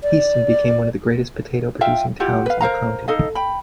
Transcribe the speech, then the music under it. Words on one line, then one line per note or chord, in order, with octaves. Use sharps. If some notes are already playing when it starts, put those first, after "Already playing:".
Easton became one of the greatest potato producing towns in the County.
D5
F4 E5 F5 G5
E4 F4 G4 F#5
B4 F5
A#4 C5 F5 A#5
D#4 A4 D#5 F5
G5 B5